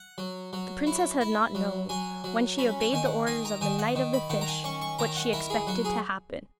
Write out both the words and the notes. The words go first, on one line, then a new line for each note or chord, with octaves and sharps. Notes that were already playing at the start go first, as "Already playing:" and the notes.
The princess had not known, when she obeyed the orders of the Knight of the Fish, what she expected to happen.
Already playing: F#5
F#3
F#3
E4
E4
F#3
F#3 G#5
F#3
C#4 B5
G#5
D#3 G#5
F#5
D#3 G#5
A#5
D#3 G#5
F#5
D#3
B5
D#3 F#5
A#5
G#5
C#4 C#6
C#6
D#3 A#5
F#5
E4 A#4
G#4
F#3 F#4
G#4